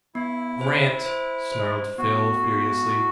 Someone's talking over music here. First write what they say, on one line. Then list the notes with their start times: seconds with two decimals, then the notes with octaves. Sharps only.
"Grant!" snarled Phil furiously.
0.15 B3 E4
0.61 C5
1.06 C5
1.52 C5
1.98 B3 F#4
2.44 B3
2.89 E4